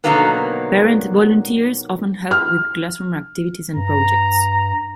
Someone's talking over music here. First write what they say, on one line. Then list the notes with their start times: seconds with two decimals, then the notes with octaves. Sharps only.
Parent volunteers often help with classroom activities and projects.
0.04 B2 D3 D#3 F#3 A#3 B3
2.31 F6
3.76 G2 A#5